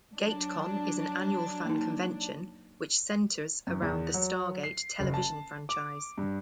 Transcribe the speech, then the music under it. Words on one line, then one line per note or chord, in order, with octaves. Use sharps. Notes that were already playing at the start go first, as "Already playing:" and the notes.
Gatecon is an annual fan convention, which centeres around the "Stargate" television franchise.
F#3 D4
A#3 D#4
F#2
E2
F#3
C7
F#1
A5
D6
G2